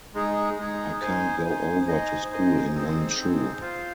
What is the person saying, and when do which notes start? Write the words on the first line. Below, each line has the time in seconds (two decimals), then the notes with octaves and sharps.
I can't go over to school in one shoe.
0.15 G#3 D#4 G#4
0.58 G#3 D#4 G#4
1.01 D#4 C5 G#5
1.44 D#4 C5 G#5
1.88 D#4 C5 D#5 G#5
2.31 D#4 C5 D#5 G#5
2.75 C4 D#4 G#4 C5
3.18 C4 D#4 G#4 C5
3.61 F4 C5 F5